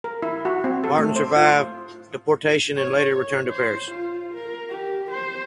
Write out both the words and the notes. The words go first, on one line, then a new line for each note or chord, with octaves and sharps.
Martin survived deportation and later returned to Paris.
A#4
E4
F#4
C4
A4
A3
C5
F4
C#5
C#5
C5
F4
A#4
G4
C5